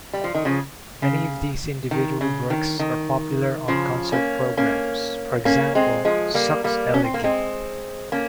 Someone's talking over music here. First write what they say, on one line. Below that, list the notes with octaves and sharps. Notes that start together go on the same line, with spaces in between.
Many of these individual works are popular on concert programs, for example Suk's Elegie.
G3
F3
D#3
C#3 F3
C#3
D#3
C#3
D#3
D#3
C#3 F3
A#3 C#4
A#3 C#4
A#3 C#4
G#3 C4
F3 G#3
G3 A#3
G3 A#3
C#4
C4
A#3
G#3 C4
A#3 C#4